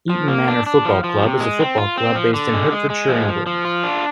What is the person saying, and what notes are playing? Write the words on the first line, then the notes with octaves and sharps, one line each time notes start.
Eton Manor Football Club is a football club based in Hertfordshire, England.
F3
A#3
D4
D4
F3
F3
C3
G#3
C4
F4
C4
F3
D3
G#3
G#3
G#3
F3
F3
F3
F4
D4